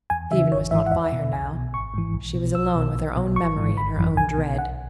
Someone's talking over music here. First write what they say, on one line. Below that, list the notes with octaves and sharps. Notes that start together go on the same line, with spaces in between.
Stephen was not by her now; she was alone with her own memory and her own dread.
E2 G#5
C#3 E3 E5
G#1 C#5
G#2 E3 E5
F#5
E2 E5
B2
B1 G#5
B2
G#1 C#6
G#2 E3
B1
B2
B1 E6
B2
B1
B2
G#1 C#6
G#2 E3
G#1 B5
F#2 E3
B1 G#5
B2
B1 F#5